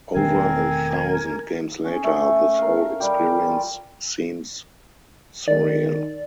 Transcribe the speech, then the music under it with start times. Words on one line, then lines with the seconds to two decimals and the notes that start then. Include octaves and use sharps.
Over a thousand games later, this whole experience seems surreal.
0.15 E1 D#3 A3 C4 A#4 G#5
1.84 C#4 G#4
2.04 A3
2.58 A#4 F5
3.00 G3 G4
3.48 F4
5.48 D#3 D5